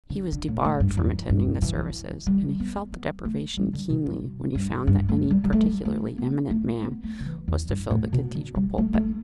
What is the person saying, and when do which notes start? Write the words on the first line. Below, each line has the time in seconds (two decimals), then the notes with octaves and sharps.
He was debarred from attending the services, and he felt the deprivation keenly when he found that any particularly eminent man was to fill the cathedral pulpit.
0.10 D3
0.32 D3
0.48 A2
0.64 A2
0.80 G2
0.97 E2
1.30 G2
1.62 E3
2.26 G3
2.60 B3
2.92 B3
3.25 A3
3.57 G3
3.73 D3
3.90 B2
4.06 G2
4.55 G2
4.87 G2
5.09 A3
5.31 G3
5.44 G3
5.53 A3
5.85 A3
6.18 B3
6.50 A3
6.83 B3
7.04 A3
7.20 D3
7.26 E3
7.48 E2
7.69 G2
7.91 A2
8.13 B2
8.35 D3
8.56 G3
8.78 A3
8.94 A3